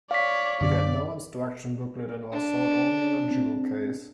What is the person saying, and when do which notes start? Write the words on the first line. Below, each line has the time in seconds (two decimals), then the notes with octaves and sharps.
It had no instruction booklet and was sold only in a jewel case.
0.11 C#5 D5 F5 B6
0.61 F#2 D3 D5
2.32 D4
3.31 C4